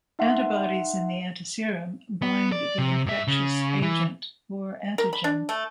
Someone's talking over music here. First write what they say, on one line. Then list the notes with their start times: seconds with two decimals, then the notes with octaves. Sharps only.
Antibodies in the antiserum bind the infectious agent or antigen.
0.19 D#4 E5 F#5 C6
2.22 B3
2.52 D5
2.78 C3
3.06 G2 E5
3.27 C#3
3.82 E3
4.98 A#4
5.13 B5
5.24 D4
5.49 A3